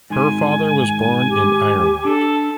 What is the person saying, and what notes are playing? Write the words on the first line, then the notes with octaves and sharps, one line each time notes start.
Her father was born in Ireland.
G#2 D#3 G#5 C6
G4
D4 A4